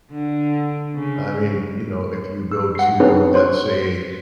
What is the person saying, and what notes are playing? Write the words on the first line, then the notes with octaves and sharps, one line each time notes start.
I mean, you know, if you go to, let's say,
D3
C#3
E6
F#5 C7
C4 D4 D#4 G#4 B4 C#5
C5 C#5 C6 F#6